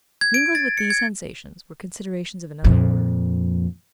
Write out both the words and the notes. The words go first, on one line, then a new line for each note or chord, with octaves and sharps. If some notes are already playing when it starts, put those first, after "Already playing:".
Mingled with these sensations were considerations of another order.
G#6
D7
A6
C#7
G#6
F2 A#2